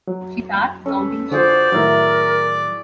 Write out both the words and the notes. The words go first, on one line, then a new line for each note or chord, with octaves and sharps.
She starts counting sheep.
F#3
C#4 A4 B4
D3 F4 F#4 G#4 C5 D5
A2 D#3 F#3 E4 A#4